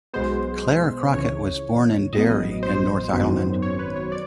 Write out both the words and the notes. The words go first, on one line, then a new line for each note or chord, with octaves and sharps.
Clare Crockett was born in Derry in Northern Ireland.
B1 B2 G#3 B3 C5
C#2 C#3 E3 C#5
A1 A2 F#3 B3 D#5
C5
G#1 F#2 D#3 F#3 B3
C#5
B4
C#5
D5